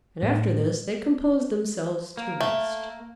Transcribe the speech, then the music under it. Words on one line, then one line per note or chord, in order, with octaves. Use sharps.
And after this they composed themselves to rest.
A2
A#3
A3